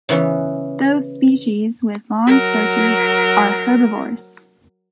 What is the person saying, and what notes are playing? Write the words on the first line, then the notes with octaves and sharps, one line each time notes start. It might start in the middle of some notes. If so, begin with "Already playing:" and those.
Those species with long cerci are herbivorous.
C#3 E3 B3 C#4
F#3 A#4